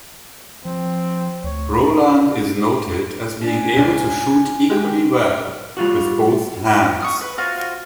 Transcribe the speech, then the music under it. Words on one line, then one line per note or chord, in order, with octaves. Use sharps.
Roland is noted as being able to shoot equally well with both hands.
F3 C4
D2 C#5
D4 G#5
C#2 C#4 D4
G#3 G4 G5
G3 F4 F#4
C#6 D#6 F6
B4
F4 F#4 C5 F5